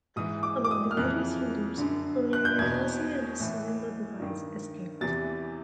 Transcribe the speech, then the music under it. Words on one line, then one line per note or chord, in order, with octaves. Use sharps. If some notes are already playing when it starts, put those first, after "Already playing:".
Among the various leaders, only Ilghazi and his son-in-law Dubais escaped.
G#2 E3 D#6
D6
D6
D#6
F6
F2 C#3 E3 F#6
F#2 D3
F#6
G6
E2 B2 G#6
A2 E3
G2 D#3
E2 C3 E3 A6